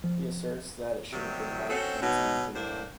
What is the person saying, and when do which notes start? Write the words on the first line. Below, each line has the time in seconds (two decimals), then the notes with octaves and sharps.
He asserts that it should have been Mark Antony who won.
0.04 F3
1.12 C3 D#3 F#3 G3
1.69 C4 C#4 F#4 A4
2.01 B2 F#3 G3 D#4
2.55 A2 A#3 D4 C5